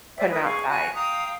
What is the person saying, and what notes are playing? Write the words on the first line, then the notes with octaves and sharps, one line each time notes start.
put 'em outside.
C5 D5 E5 G5
A#4 B4 D#6
G#4 F5 C#6
F#4 G#5 F#6
F5 G5 A#5 D#6